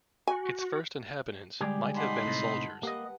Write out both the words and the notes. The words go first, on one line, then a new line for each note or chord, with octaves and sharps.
Its first inhabitants might have been soldiers.
F#4 G#5
D3 G3 G#3 G4 G#4 D5
D#4 F#5 A5 B5 C6
A2 C3
A#3 G4 B4 D#5 F#5